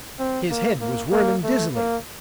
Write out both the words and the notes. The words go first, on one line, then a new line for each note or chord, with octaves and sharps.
His head was whirling dizzily.
C4
A#3
A#3
A#3
A3
A#3